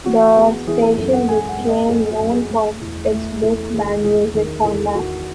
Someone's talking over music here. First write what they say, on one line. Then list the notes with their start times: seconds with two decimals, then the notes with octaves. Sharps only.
The station became known for its Big Band music format.
0.06 E3 F#4
0.36 B3 G#4
0.67 E3 G#4
0.82 A4
0.97 F#2 A4
1.13 F#5
1.28 G#3 G#5
1.49 F#5
1.59 B3
1.69 D#5
1.89 F#2 A4
2.10 F#4
2.20 F#2
2.30 G#4
2.50 A3
2.81 E2
3.12 A3
3.42 E2 A4
3.74 D#3 G#4
4.04 E2 G#4
4.34 D#3 G#4
4.65 E2 A4
4.95 D#3 F#4